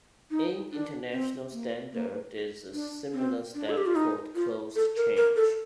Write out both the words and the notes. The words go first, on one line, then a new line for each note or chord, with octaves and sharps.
In International Standard there is a similar step called Closed Change.
D#4
D4
C4
A#3
A#3
D4
C4
D4
A4
G4
F4
D#4
F4
A4
A#4
A#4
A4